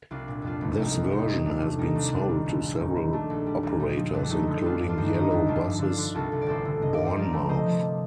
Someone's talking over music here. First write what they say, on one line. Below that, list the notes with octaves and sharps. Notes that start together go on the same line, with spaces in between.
This version has been sold to several operators including Yellow Buses, Bournemouth.
C2 D4 F4
A#2
F2 D4 F4
G1
C3 D#4 G4
F2
A1 D#4
A1
C3 D4
A3
G3 D#4
D#2 D4
G1 D4
D#3
A#1
A#2
D#3
D#3
A3 D4
A#1
G3
D#2
A#2 D#4
F3
F2 D4
A3 D#4
D3
D#4
F2 D4 F4
G2
D4 F4
G2 D#4
D4
D#3 D#4
F2
A1 D4 F4
G2
D3 D4 F4
D3
C2 F4 A4
C2
D5
A1 A4 C5
D3
G2 D#5
G2 D5
C5
F3 A#4 D5
A3
C3 C5 D#5
F3